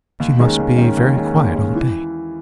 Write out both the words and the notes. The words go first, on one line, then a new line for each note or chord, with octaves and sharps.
"She must be very quiet all day."
D#2
D#3 G#3 C#4
D#2
D#3 G#3 C#4
D#2
D#3 G#3 C#4
D#2
D#3 G#3 C#4
E3